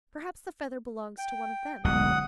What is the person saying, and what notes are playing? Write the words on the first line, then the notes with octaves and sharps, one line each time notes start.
Perhaps the feather belongs to one of them.'
G5
D1 B1 G#3 F#5 D#6